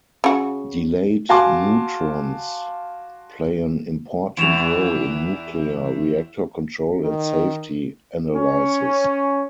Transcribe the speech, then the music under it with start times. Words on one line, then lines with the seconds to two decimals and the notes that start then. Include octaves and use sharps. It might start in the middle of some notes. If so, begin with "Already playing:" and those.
Delayed neutrons play an important role in nuclear reactor control and safety analysis.
0.24 C#3 F#4
1.29 F#4 F5 G#5 A5 C6 D6
4.37 E2 E3 D7 E7 F7
7.00 D#3
8.34 C#4